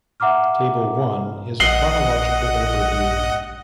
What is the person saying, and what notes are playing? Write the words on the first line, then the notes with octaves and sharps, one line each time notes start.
Table I is a chronological overview.
E5 F#5 A#5 D6 F6
A#1 D#5 F#5 C7 F#7 G7